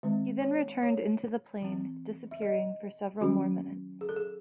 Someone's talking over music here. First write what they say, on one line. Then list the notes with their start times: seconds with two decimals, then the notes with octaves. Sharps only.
He then returned into the plane, disappearing for several more minutes.
0.03 D#3 G#3 C4
0.42 C#5
0.83 C#5
1.62 E3 C4
2.31 E5
2.42 D#5
3.21 D#3 F#3 C#4 F#4
4.01 G#4
4.09 A4
4.16 G#4